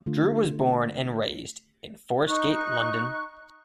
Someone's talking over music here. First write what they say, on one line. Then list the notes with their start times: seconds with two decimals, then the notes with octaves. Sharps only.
Drew was born and raised in Forest Gate, London.
0.06 D3 A3 F4
2.26 D#4 C#6 F#6